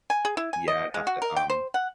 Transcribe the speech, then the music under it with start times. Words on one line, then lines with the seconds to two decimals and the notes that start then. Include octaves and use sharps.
yeah, I'd have to, um,
0.10 G#5
0.25 G#4
0.37 E4
0.53 G#5
0.68 D#5
0.94 G#3
1.07 F#4
1.22 A#4
1.36 G5
1.50 C5
1.74 F#5